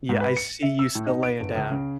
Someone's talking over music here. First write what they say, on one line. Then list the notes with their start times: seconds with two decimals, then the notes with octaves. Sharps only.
Yeah, "I see you still laying down."
0.09 G#2
0.21 B4
0.37 C#7
0.63 E5
0.79 E6
0.95 A2
1.06 D#4
1.23 D7
1.41 G1
1.55 C#2
1.71 C#3